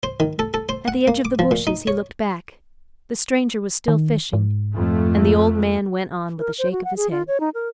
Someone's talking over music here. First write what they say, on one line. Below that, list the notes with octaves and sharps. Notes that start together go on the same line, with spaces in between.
At the edge of the bushes, he looked back; the stranger was still fishing, and the old man went on with a shake of his head.
C5
D#3
A4
A4
C5
F#5
A#3
D6
F3
A#2
D#4
C#5
D#3
G#2
F2 A3
A#4
C5
F#4
F#5
G#4
F4
C#5
D#4
A#4